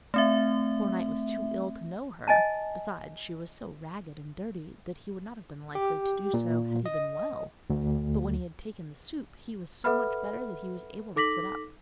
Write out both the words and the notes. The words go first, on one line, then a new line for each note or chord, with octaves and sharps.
The poor knight was too ill to know her, besides, she was so ragged and dirty that he would not have been likely to do so had he been well; but when he had taken the soup he was so much better that he was able to sit up.
A3 C4 E5
D#5 G#5 A5
G4
A#2
D#5
D2
A4 B4 E5 F#5 B5 F6
D#4 A4 D6 A#6 B6 F#7